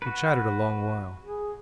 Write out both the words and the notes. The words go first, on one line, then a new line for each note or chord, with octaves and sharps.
We chattered a long while.
F#4 B4
G#4